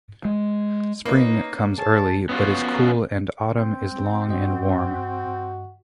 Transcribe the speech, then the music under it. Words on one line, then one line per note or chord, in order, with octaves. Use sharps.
Spring comes early but is cool and autumn is long and warm.
G#3
A#3 C#4 D#4 B4
G#4 C#5 A5
B3 C#4 F4 F#4
C4
G2 F#4 D#5